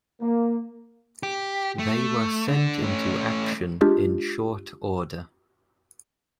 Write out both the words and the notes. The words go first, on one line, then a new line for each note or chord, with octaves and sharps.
They were sent into action in short order.
A#3
G4
A3
D3 D4
A3 C#4
G#3 D4 F4 G4 G#4